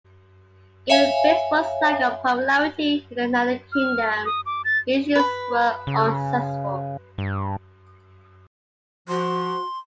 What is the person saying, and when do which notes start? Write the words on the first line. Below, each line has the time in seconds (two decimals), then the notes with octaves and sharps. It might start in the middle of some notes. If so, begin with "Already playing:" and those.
Given baseball's lack of popularity in the United Kingdom, the issues were unsuccessful.
0.89 C#5 E5 F5 G#5
3.72 F6
4.25 D#6
4.46 D6
4.65 A6
5.16 B4 B5
5.87 C#3
7.18 G2
9.09 F3 F#4 C6